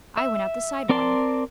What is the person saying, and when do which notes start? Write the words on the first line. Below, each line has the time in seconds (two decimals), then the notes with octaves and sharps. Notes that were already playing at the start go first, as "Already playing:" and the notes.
I went out the side one.
0.17 E5
0.89 C4 A#4 D5 A5 C6